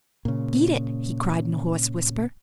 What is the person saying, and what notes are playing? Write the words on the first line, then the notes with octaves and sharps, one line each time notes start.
"Beat it!" he cried in a hoarse whisper.
A#2 C#3